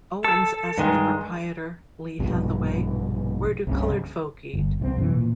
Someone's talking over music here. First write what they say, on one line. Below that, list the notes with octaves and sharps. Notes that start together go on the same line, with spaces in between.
Owens asked the proprietor, Lee Hathaway, where do colored folk eat?
A4
G2 D#3 G#3
A#1 G2 B2
C2 G2 C#3
G1
C2 F3 C4
F#2 B2 E3
A#2